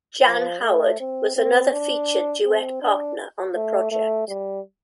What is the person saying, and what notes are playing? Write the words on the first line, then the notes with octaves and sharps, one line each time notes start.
Jan Howard was another featured duet partner on the project.
F3
A3
C4
C4
D4
C4
D4
A3
A3
G3